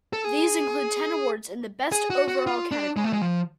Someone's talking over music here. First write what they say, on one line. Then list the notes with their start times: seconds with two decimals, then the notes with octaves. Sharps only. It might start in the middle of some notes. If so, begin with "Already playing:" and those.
These include ten awards in the "Best Overall" category.
0.13 A4
0.25 G#4
1.92 G#4
2.10 F#4
2.28 F#4
2.47 F4
2.72 D4
2.97 G#3
3.04 A3
3.13 G#3
3.22 F3